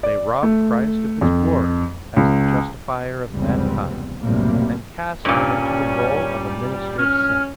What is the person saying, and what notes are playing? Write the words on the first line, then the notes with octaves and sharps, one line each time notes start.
They rob Christ of His glory as the Justifier of mankind and cast Him into the role of a minister of sin.
D5
A3
F2
C#2
F1 C#2 G#2 G3 B3 C4
F#1 B1 A2 C3 G3 A#3
G2 A#2 G3 C#4
C#4 F6